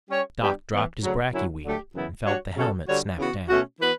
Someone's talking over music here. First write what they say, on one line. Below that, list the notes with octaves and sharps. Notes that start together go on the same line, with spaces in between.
Doc dropped his bracky weed and felt the helmet snap down.
G3 C#4 G4 C#5
G3 B3 D4 G4
E3 G3 B3
D2 C#3 F#3
F#2 D3 F#3 C#4 E4
D3 F#3 A3 D4 G4
F#2 C#3 E3 B3 E4
G3 D4 F#4 C#5
C#3 F#3 C#4 F#4 A4
D3 G3 D4 F#4 C#5
C#3 E3 B3 F#4
B2 A3 C#4 F#4
E3 B3 F#4 B4